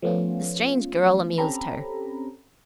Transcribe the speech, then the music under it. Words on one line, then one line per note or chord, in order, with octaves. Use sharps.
The strange girl amused her.
F3 A3 B3 C#4 F4
C4 C#4 G4 A4 A#5 B5